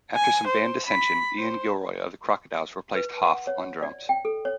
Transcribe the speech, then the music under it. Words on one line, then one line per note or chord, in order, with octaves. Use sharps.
After some band dissension, Ian Gilroy of the Crocodiles replaced Hough on drums.
G#5
C5
B5
C5
B4
F#5
C#5
D5
G5
A4
C#5